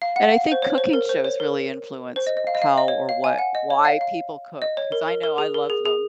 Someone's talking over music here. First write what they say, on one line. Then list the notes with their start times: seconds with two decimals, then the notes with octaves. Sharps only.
and I think cooking shows really influence how or what why people cook, 'cause I know I love them,
0.02 F5
0.16 F#5
0.31 F5
0.52 C5
0.62 C#5
0.78 C5
0.93 A#4
1.09 C5
1.25 C#5
1.40 A#4
2.16 C5
2.27 D#5
2.37 D#5
2.47 F5
2.55 D#5
2.62 F5
2.78 D#5
2.88 C#5
3.09 F5
3.24 G#5
3.39 F#5
3.55 D#5
3.70 C#5
3.85 F5
4.01 F5
4.62 D#5
4.77 C#5
4.92 A#4
5.08 A#4
5.23 A#4
5.38 G#4
5.54 A#4
5.70 G#4
5.85 G#4